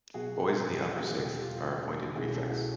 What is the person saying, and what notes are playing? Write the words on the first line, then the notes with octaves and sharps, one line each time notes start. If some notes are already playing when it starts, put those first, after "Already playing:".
Boys in the upper sixth are appointed prefects.
B2 F#3 B3 F#4 G#4
G4 A4
F#4 G#4
F#4 G#4
E2 B2 G3 B3 G4 A4
F4 G4
C2 B2 G#3 C#4 E4 F#4 G#4
G4 A4
F#4 G#4